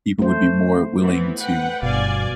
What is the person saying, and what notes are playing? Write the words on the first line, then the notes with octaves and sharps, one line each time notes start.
people would be more willing to,
A3 C5
E3 B3
B4 F#5 G5
G1 B2 D5 F5 G#5